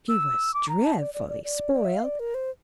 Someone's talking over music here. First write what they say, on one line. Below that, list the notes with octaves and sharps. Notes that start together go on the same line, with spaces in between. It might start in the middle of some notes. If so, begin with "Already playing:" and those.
She was dreadfully spoiled.
E6
D6
A#5
A5
D5
D5
D5
D5
D5
E5
F5
D5
A#4
C5